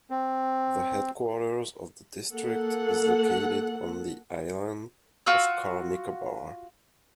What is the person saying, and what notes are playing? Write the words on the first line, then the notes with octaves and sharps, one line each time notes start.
The headquarters of the district is located on the island of Car Nicobar.
C4
A#3 A4 F#5
F4 F#4 E6